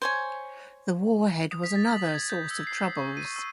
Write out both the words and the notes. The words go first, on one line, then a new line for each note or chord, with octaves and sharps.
The warhead was another source of troubles.
C5 C#5 G#5
D#6
B6
A6
F#7
G#6
G6
E6
C7
C#6
D#7
E6